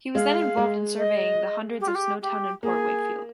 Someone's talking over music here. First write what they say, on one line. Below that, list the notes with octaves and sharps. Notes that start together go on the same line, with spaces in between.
He was then involved in surveying the hundreds of Snowtown and Port Wakefield.
G#3 F5
G#3
D#5
G4
F4
G4
G4
A#3 G#4